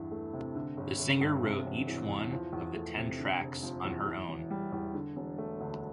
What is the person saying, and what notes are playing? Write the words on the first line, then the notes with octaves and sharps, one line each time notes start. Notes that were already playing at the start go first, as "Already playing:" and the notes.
The singer wrote each one of the ten tracks on her own.
Already playing: E2 G2 E3
A3
C3
D3
G1
G1
G2
C3
E1
E3
E2
F3
E2
A3
C3
D3
F1
F3
E2
E3
E1
G3
E2
D3
E1
A3
D2